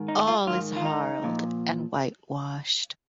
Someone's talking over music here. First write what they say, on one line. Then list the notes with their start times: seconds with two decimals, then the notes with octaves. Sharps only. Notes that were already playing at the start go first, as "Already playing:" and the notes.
All is harled and whitewashed.
Already playing: G#2 D#3
0.08 D#4
0.28 F4
0.47 G#2 D#3 F4
0.76 F4
0.85 D#4
1.24 A#2 F3